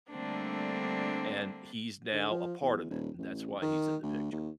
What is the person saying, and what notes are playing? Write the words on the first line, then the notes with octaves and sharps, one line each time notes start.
and he's now a part of it, and that's why he's in the picture.
D3 G3 A3 A#3 C4 D4
D3
F3
E2
D#1
A1
D#3
D2
D#2